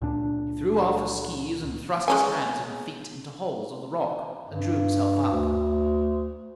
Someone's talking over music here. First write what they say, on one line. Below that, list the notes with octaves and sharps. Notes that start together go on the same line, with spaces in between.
He threw off his skees and thrust his hands and feet into holes of the rock and drew himself up.
C#2 A#2 D4
G#3 C#4 G#5
G2
D2